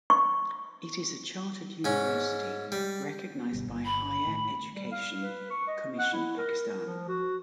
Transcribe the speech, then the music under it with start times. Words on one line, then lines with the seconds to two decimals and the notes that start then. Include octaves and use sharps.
It is a chartered university recognized by Higher Education Commission Pakistan.
0.10 C#6
1.84 G#2 C#4
2.72 G3
3.53 G1 B2 G3
3.67 G1
3.85 B5
4.27 A2 D#3
4.74 G3
4.92 F5
5.23 B4
5.51 C#6
5.67 D#5
5.99 F#5
6.13 E4
6.37 A#4
6.62 A#4
6.86 F3
7.08 F#4